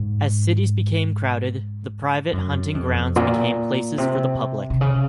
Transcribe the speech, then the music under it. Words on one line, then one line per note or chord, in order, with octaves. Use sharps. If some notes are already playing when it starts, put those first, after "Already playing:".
As cities became crowded, the private hunting grounds became places for the public.
Already playing: G#2
F#2
F2
A#2
C3
C3
C#3